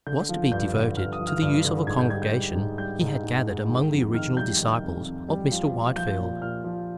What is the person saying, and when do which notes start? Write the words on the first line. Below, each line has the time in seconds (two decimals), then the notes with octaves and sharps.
It was to be devoted to the use of a congregation he had gathered among the original disciples of Mr. Whitefield.
0.07 D3 G6
0.29 F3
0.52 G2 G6
0.74 D3
0.97 G2 F6
1.13 D#6
1.19 F3
1.27 F6
1.42 G2 F6
1.65 D3
1.87 G#2 G#6
1.99 G6
2.10 G3 G#6
2.22 G6
2.33 G3
2.55 G#2
2.78 G3 G6
3.01 G#2
3.24 G#2
3.47 G#2
3.69 D#3
3.92 F2
4.14 D#3 F6
4.37 G3 G6
4.60 D#3
4.83 F2
5.05 F2
5.28 G3
5.51 F3
5.73 A#2
5.96 F3 G6
6.19 A#2
6.41 A#2 F6
6.64 F3